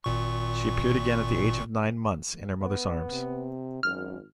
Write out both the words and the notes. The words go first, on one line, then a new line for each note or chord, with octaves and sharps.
She appeared again at the age of nine months in her mother's arms.
G#1 A#2 C#6
B3
C3
G#1 F#2 F6